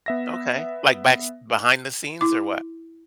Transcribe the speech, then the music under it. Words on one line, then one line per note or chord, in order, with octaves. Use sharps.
Okay, like, backs behind the scenes or what?
B3 E5 A#6
E4 D6